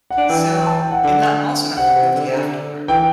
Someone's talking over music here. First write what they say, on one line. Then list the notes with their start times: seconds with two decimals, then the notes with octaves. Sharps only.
so and not also not feel guilty afterward,
0.11 F#5
0.17 D4
0.29 E3 G5
0.54 G5
0.67 A5
0.79 G5
0.91 F#5
1.03 D3 F#5
1.77 C3 F#5
1.96 C3
2.15 D3
2.26 C3
2.37 D3
2.88 E3 G5